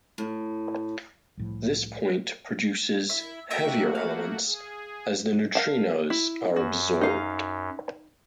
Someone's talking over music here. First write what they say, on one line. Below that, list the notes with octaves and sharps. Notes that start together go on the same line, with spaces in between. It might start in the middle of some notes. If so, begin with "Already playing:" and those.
This point produces heavier elements as the neutrinos are absorbed.
A2
C2 A2 F3
E4 E5
A3 A#3 F#4 D#5 E5 G5
F5
G#4
A#4 F5 A5
E4
F#2 F#4
D#4 F5 A#5